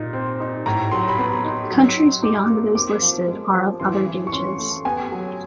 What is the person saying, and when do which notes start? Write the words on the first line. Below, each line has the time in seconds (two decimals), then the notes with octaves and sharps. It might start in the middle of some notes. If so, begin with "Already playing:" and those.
Countries beyond those listed are of other gauges.
Already playing: A#2 D#4
0.13 C4
0.40 D#4
0.66 A2 A#5
0.91 F#3 C6
1.08 B5
1.18 B3 C6
1.45 D#4
1.71 F#3
1.97 D#4
2.22 D#4 D6
2.50 A#3
2.75 C4 D6
3.02 F3
3.28 G#3
3.53 F3
3.80 E3 C6
4.07 E3
4.27 C#6
4.32 C#4 C6
4.59 A3
4.85 B3 G#5
5.12 F#3